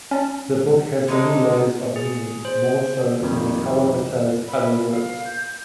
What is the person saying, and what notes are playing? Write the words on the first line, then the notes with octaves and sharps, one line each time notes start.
The book has many layers of meaning, more so than Kawabata's other works.
C#4 A5
D3 G#3 D#4
G#4
C5
F2 D#3 G3 A#3
B5
F5
G6